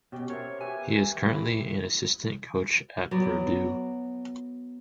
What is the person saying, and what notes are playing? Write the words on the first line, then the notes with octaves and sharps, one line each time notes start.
He is currently an assistant coach at Purdue.
B2 C#4 G4 G5
A#4 C5 C#5 E5
G4 B4 E5 G#5
E4
F#3 B3 D5